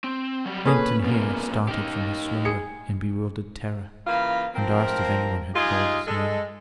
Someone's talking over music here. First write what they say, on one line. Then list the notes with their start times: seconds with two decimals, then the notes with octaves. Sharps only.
Linton here started from his slumber in bewildered terror, and asked if any one had called his name.
0.04 C4
0.45 F#3 G3
0.65 A#2 C#4 G#4 A4 B4 C#5
1.03 B1 A#3 B3
1.68 D#4 G4
2.45 G#4 C#7
4.07 C#3 E3 A#3 F4 A#5 B5
4.55 F3 C4 A#4
5.55 G#3 D#4 F4 G4 G#4
6.07 G#3 A4